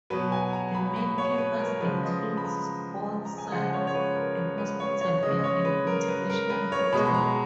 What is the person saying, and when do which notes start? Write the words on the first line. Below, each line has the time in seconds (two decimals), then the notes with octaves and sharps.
The main campus includes sport sites, a hospital, and an international hotel.
0.10 B2 F#3 B4
0.32 G#5
0.53 A#5
0.75 B5
0.96 B5
1.18 C#5
1.38 B4
1.60 A#4
1.81 C#3 F3 G#3 B4
2.03 D#5
2.37 B5
2.45 A#5
3.25 A#5
3.38 G#5
3.52 C#3 F3 G#3 F#5
3.74 C#5
3.87 C#5
3.95 B4
4.16 A#4
4.37 B4
4.58 B4
4.80 C#5
5.01 C#5
5.23 C#3 G#3 D#5
5.39 D#5
5.44 C#5
5.65 B4
5.87 A#4
6.08 B4
6.30 A#4
6.50 B4
6.72 C#5
6.93 B2 G#3 B5
7.06 B5
7.14 A#5